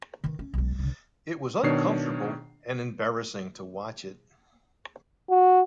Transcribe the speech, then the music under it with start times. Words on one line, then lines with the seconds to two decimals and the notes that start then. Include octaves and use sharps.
It was uncomfortable and embarrassing to watch it.
0.24 D#3 E3
0.39 C#4
0.54 B1 G#3
0.79 C2 D3
1.63 B2 D#3 D4 C#5 C7
5.29 F#4